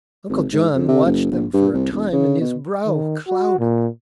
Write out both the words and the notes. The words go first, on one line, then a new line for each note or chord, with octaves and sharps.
Uncle John watched them for a time, and his brow clouded.
G#1
G#2
F2
C3
F#1
A#1
G2
C2
E1
C#3
B2
D#3
F#4
A#2